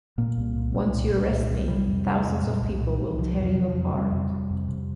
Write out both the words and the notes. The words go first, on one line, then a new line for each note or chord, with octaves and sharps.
Once you arrest me, thousands of people will tear you apart.
A#2 A#3
C2
A#2
C2
A#2
C2
A#2
C2
C3 G3
F2
C3
F2
A#2
C2
A#2
C2
C3 F3
F2
F3
C3
F3
F2
C3 G3
F2
C3
F2
C3